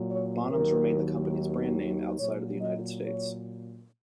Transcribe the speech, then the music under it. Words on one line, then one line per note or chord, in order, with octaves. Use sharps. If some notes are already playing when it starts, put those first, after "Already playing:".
Bonhams remained the company's brand name outside of the United States.
Already playing: A#2 F#3
C#5
D#2 D#3 F#3 A#4
A#2 F#3 C#5
D#5
C#5